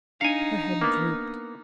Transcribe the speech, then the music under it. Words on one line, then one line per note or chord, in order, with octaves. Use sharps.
Her head drooped.
D4 D#4 F5 G#5 C#7 F7
A#3 B3